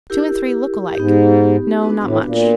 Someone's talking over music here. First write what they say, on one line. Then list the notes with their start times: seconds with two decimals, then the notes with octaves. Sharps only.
Two and three look alike--no, not much.
0.10 E4 G4 A#4
0.95 G#2 B3 D#4 G4
1.82 B3 D4 F#4 B4
2.04 A2
2.25 A#2